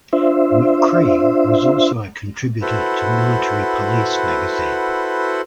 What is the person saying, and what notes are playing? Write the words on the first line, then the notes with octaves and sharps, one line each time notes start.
McCree was also a contributor to "Military Police" magazine.
D4 F4 C5 E5
E4 F#4 A4 B4 C5 F#5